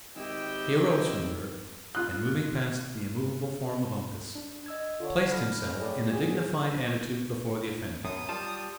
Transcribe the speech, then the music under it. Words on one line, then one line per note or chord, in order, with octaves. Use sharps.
He arose from the earth, and moving past the immovable form of Uncas, placed himself in a dignified attitude before the offender.
G#1 E4 G4 D#5 G5 E6
F4 F#6
D4
D#5 E6 G#6
D3 F4 C#5
B5 F6 A#6
A2 G#4 D5
B3 F4 G#4
F#2 B2 D#6
G3 F4 A5